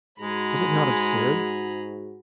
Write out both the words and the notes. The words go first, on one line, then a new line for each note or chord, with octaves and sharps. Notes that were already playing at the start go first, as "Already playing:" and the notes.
Was it not absurd?
G#2 G#3 F#4 G#4 A#5 B5